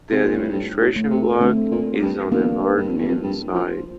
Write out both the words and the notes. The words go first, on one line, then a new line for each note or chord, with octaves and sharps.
The administration block is on the northern side.
C3
A#2
A2
G2
A2
A3
C3
D3 A3 C4
A#2
G2
E2 A#3 D4
G2
F2
E2
F2
G2
F3